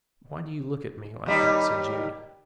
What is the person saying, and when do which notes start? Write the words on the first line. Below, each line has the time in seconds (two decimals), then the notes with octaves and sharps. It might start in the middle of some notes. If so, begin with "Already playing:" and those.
"Why do you look at me like that?" said Jude.
1.26 D#2 G3 D#4